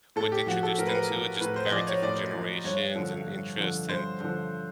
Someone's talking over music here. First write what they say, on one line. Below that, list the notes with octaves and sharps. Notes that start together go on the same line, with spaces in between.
would introduce them to, it's just very different generations, and interests, and
A2 A4
G4
F3 F#4
A4
A2 A#4
B4
A#4
F3
A2 B4
C5
D#5
F3 D5
C#5
A2 D5
F3
G2 C#5
D3 F3
G2
D3 F3
G2 C5
D3 F3